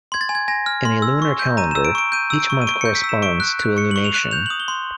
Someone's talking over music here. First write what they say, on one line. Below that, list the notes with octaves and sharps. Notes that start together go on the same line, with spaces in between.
In a lunar calendar, each month corresponds to a lunation.
C6 G#6
A6
G#5
G#6
G#5 A#6
F6
C6
E6
C#6
G6
A#5 D#7
E7
E6
D7
C#6 D7
G6 D#7
E6
D7
C#6
D#7
C#6 D7
C#7
G6
B6
E6
E7
C#6 D7
F#6
F#6
C#6 C#7
F#7
C#6
F7
F#6 E7
G6 F7
F#7
D#6
G7
C6